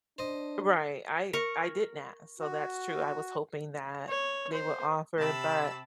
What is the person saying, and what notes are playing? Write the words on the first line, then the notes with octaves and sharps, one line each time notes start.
Right, I I didn't ask, so that's true, I was hoping that they would offer, but
D4 C5 D#5
A#4 C#6
F#4
C#5
C5
C3 G4 A5 B5 E6